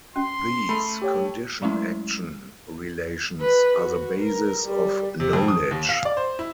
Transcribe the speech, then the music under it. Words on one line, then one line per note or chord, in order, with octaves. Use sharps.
These "condition-action" relations are the basis of knowledge.
C#4 F#4 C6
A3 A4 B5
G4 C#5 G5
F#3 G#3 A3 C#4 E4
B4
F#4
A#4
G3
C3
F2
D#6
D#2
F5
D5
C5
E4